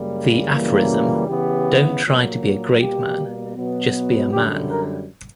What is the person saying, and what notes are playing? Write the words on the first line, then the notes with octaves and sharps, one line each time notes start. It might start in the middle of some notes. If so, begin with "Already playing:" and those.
The aphorism Don't try to be a great man, just be a man.
Already playing: F#2 C#3 G3 A#3
F#2 C#3 E3 G3 A#3
C#3 E3 B3 G4
A#2 F#3 A#3
B2 G3 A#3 G4
B2 F#3 B3
F#2 D3 G3 G4
A#4